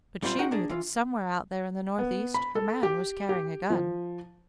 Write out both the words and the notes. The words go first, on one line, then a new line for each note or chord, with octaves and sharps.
But she knew that somewhere out there in the northeast her man was carrying a gun.
F#2 A#2 G3 C4 F4 C5
A#3 D#4 F#4 G#4 F#5 G5
A#3 D4 G#4
E3 F4
B3
B5
A4
G4
G4
F3